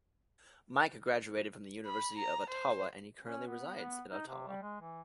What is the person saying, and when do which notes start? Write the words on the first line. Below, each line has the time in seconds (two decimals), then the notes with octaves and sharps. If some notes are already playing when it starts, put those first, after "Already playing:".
Mike graduated from the University of Ottawa and he currently resides in Ottawa.
1.86 B5
2.18 A#5
2.50 C5
3.23 C#4
3.47 B3
3.77 B3
4.11 D#4
4.28 C3
4.48 G3
4.62 G#3
4.81 E3